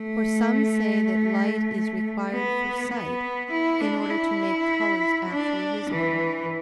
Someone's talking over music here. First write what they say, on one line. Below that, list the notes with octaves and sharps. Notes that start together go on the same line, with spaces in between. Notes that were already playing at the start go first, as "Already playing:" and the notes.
For some say that light is required for sight, in order to make colors actually visible.
Already playing: A3
B3
B3
E4
D4
E4
D4
E3